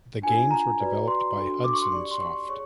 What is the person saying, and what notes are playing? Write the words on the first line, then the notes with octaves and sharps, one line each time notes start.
The games were developed by Hudson Soft.
D4 F4 A#4 G#5
A#5
F#4 B4 D5
C6
D4 F#4 A4
D6
C#6
C6
G4 A#4 D5 C#6
C6
C#6
G#4 C#5 C#6